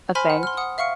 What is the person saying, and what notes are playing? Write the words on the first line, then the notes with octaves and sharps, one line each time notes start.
a thing.
C5 G#5 B5 C6 F6 B6
F#5
C6 F6
F#5 D#6
E5 F5 C#6 F6 C#7